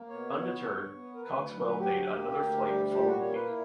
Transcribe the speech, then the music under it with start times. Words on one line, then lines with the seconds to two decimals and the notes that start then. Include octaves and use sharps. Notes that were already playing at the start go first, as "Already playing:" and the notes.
Undeterred, Coxwell made another flight the following week.
Already playing: A#3
0.09 B2 C#5
0.37 B3
0.65 G2
0.94 B3
1.14 A#4
1.22 D2 B4
1.50 F#3 B4
1.58 A#4
1.65 B4
1.79 D2 G4
2.07 A#3
2.35 D2
2.64 G3
2.92 A#2 G4
3.06 F#4
3.20 A#3 C#5
3.34 B4
3.48 A#2 E4